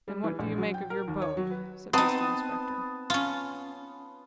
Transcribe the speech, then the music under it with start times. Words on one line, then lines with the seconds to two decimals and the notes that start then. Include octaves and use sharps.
'And what do you make of your boat?' said Mr Inspector.
0.08 G3
0.24 E3
0.39 A#1
0.58 F#3
0.74 G5
0.90 A#4
1.08 D#2
1.22 C#5
1.37 F#3
1.51 B4
1.93 B3 C4 D#4 A5 D#6
3.10 C#4 F4